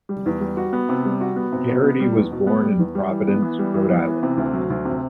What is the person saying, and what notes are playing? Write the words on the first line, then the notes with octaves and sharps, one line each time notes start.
Gerety was born in Providence, Rhode Island.
G3
E2
G3
F#4
B3
C3
G3
F#4
B3
C3
B2
B3
G3
E2
B2
B3
G3
E2
G3
E3
B3
E3
G3
E3
B3
E3
C3
D2
F#3
D2
C3